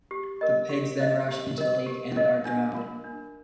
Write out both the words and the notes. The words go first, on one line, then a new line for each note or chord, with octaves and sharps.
The pigs then rush into the Lake and are drowned.
G4
A#4 D#5
G4
A#4 D#5
G4
A#4 D#5
G4
A#4 D#5
D4
F4 A#4
D4